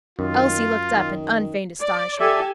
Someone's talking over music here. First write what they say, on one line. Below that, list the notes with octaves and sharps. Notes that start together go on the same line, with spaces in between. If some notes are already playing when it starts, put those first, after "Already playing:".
Elsie looked up in unfeigned astonishment.
F#2 D#3 F4
D#3
D5
G4 A4 D5 E5 G#5